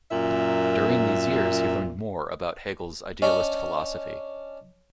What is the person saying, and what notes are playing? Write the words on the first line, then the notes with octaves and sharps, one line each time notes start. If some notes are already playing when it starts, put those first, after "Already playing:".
During these years he learned more about Hegel's idealist philosophy.
F#2 A#2 E5
C#4 D4 D#5